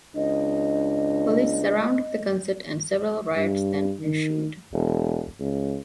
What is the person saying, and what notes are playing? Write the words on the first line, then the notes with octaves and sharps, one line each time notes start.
Police surrounded the concert and several riots then ensued.
C#2 D4 D#5
G2
D#3
E1
C#2